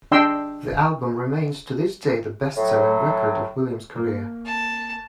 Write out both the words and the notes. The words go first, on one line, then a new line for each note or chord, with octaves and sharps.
The album remains, to this day, the best-selling record of Williams' career.
D4 D#5 G5 C6 E6
A2 F#3
A#3
A5